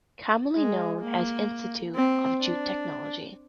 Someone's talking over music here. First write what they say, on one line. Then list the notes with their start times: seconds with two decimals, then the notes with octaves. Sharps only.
Commonly known as Institute of Jute Technology.
0.55 G#3
1.02 A#3
1.95 C4
2.42 D4